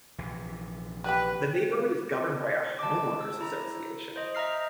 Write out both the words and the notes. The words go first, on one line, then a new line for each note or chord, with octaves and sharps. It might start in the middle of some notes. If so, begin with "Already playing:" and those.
The neighborhood is governed by a homeowners association.
A#1 C3 E3
G3 G4 B4
A5 D6
E6
E4 A#5
C5 D#5
D#5 E5 A#5 F6 C7